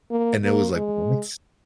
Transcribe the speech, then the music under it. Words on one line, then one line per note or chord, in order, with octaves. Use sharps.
And it was like, "What?"
A#3
A#3
G#3